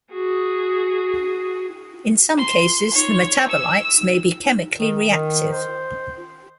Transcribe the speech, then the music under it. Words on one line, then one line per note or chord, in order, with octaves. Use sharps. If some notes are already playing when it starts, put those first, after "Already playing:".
In some cases the metabolites may be chemically reactive.
F#4 G#4
C6
C#5
E6
D#3
D#3
C5